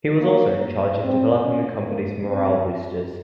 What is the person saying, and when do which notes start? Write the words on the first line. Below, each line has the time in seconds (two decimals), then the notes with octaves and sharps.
He was also in charge of developing the company’s morale boosters.
0.21 A#3
1.04 C4
1.45 C#4
1.87 A#3
2.28 C4